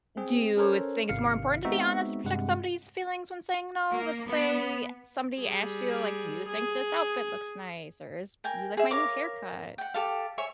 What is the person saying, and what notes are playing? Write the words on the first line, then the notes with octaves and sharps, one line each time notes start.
do you think it's more important to be honest to protect somebody's feelings when saying "no"? Let's say somebody asked you, like, "Do you think this outfit looks nice?" Or "Is you like my new haircut?"
C4 G#4
C#4 A4 A#4 C5 C#5
G#1 C3 D#3 F5 C#7
G#3 B3 C4 D#4 F#4 E5
G2 C3 G#3 F#5
A#3
B3
G3 G#4
G#4
A#4 G5 G#5
G#4 E5
A#4 C#5 F5 D6
F#5 G5
G4 A4 F5
C#5 E5 G#5